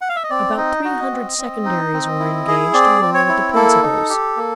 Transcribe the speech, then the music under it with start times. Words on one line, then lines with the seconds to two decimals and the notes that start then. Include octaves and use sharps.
About three hundred secondaries were engaged along with the principals.
0.01 F#5
0.09 F5
0.16 E5
0.23 D#5
0.30 C4 D5
0.57 D#4 D#5
0.84 F#4 D#5
1.12 C4
1.38 C4
1.65 D#4
1.94 C4
2.20 E4
2.48 G#4
2.74 C4 D5
3.02 C4
3.14 C#5
3.29 E4
3.55 A#3 A4
3.83 D#4
4.09 G4
4.37 A#3